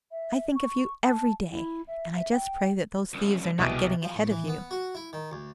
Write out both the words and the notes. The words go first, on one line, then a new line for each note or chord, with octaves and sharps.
I think of you every day, and I just pray that those thieves are not getting ahead of you.
E5
C#6
A5
E4
E5
E5
G5
C2 F#2
C2 B2 B3 G4 G#4
F3
A2
E3
B3
F#4
E4
D#3
D2